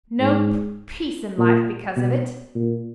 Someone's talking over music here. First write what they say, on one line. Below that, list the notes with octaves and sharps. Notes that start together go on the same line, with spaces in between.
No p--peace in life because of it.
G#2
A#2
B2
A#2